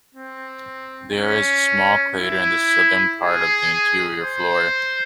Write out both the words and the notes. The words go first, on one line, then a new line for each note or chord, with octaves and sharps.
There is a small crater in the southern part of the interior floor.
C4
C#4
E4
G#4
C5